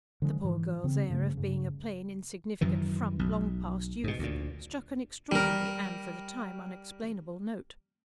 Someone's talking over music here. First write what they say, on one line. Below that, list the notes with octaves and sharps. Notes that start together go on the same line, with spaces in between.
The poor girl's air of being a plain, insignificant frump, long past youth, struck an extraordinary and, for the time, unexplainable note.
D3 F3 F#3 G#3
G#2 E3
C#3 C4
G2 C#3 F3 A3
G2 C#3
F#2 D#3 E3
B1
G#2 B2
D2 A#2
G3 A#4